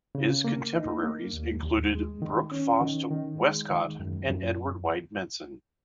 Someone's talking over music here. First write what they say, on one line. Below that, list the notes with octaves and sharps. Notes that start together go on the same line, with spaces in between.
His contemporaries included Brooke Foss Westcott and Edward White Benson.
C#3
A#3
D#4
A#3
D#2
D#2
G#3
D#3
C#4
D#3
D#3
G#3
D#3
F#2
F#2